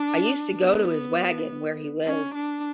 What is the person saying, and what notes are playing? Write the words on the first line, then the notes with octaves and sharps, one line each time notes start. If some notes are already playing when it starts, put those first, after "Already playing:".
I used to go to his wagon, where he lived.
Already playing: D4
B3
C#4
D4